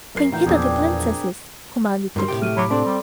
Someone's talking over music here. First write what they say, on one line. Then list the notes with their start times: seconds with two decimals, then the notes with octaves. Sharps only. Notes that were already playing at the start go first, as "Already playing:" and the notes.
"Bring hither the princesses," commanded the King.
0.15 F#2 A#4 C7
0.32 A2 E3 A#4 G5
0.46 E2 A#2 F3 B3 C4 D4 G#4
2.16 G2 F#3 G3 A#4 C6
2.28 A2 C3 G4
2.40 A3 E5 F6 D#7
2.57 F#3 B5 D6
2.70 C4 D4 A4 D5 C6
2.86 G3